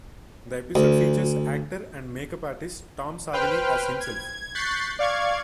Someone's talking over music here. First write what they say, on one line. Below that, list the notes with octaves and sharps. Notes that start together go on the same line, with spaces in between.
The episode features actor and makeup artist Tom Savini as himself.
D2
B4 C5 G5 F6
G#6
C#6 F#6 G6 A6 B6 C7
D5 F5 C#6 G#6